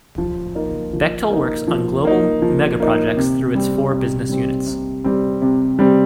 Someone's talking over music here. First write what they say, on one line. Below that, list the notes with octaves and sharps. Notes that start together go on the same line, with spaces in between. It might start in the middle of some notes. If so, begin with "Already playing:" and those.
Bechtel works on global megaprojects through its four business units.
F3
A#3 D#4
F3
A#3 D#4
F3
A#3 D#4
F3
A#3 D#4
C3
G3 C4
C3
G3 C4
C3
G3 C4
C3
G3 C4